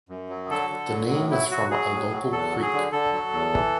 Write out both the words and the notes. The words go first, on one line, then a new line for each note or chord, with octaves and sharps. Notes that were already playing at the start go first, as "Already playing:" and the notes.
The name is from a local creek.
F#2
F#3
D3 A4
D3
F#3
A2
F#3 E4
F#3 F#4
F#3 G#4
A2
F#3
E2 A4
F#3
G#4
D3
D3 A4
F#3
E2
E3